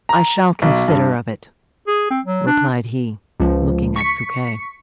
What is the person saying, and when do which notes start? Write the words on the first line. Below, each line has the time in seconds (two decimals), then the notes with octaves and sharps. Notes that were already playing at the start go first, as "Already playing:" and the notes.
"I shall consider of it," replied he, looking at Fouquet.
0.09 A#5
0.62 B1
0.88 G2
1.87 G#4
2.10 C4
2.25 F#3
2.47 D4
3.40 C#2 F3
3.96 C#6 B6 C#7